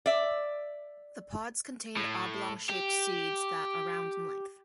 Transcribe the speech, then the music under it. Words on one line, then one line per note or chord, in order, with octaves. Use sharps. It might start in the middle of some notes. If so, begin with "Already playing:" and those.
The pods contain oblong shaped seeds that around in length.
D5 E5
A2
G4